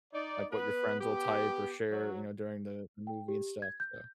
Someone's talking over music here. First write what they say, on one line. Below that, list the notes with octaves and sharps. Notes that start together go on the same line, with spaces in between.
like, what your friends'll type or share, you know, during the movie and stuff, so
D#4 D5
B3 B4
B3 G4
F#3
G5
G4
G#6
G6